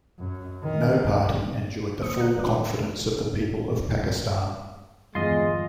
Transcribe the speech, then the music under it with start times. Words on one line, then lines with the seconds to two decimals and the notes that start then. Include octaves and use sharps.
No party enjoyed the full confidence of the people of Pakistan.
0.19 F#2
0.64 D#3
1.99 D3 F#3 A#3 C5 D#6 C#7
2.19 A#5 F#6
2.37 A2 D#3 G#3 B4 D6
5.15 G1 E2 G#3 F4 D#5 C6